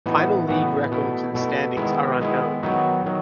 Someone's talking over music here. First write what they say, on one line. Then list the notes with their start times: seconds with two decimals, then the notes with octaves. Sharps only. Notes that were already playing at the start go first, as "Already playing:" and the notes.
Final league records and standings are unknown.
0.06 A2 E3 B3 D#4 F#4
0.48 A2 E3 B3 D#4 F#4
0.91 B2 A3 E4
1.34 B2 A3 E4
1.77 D#3 G#3 B3 E4
2.20 D#3 G#3 B3 E4
2.63 D#3 F#3 B3 D#4 F#4
3.06 D#3 F#3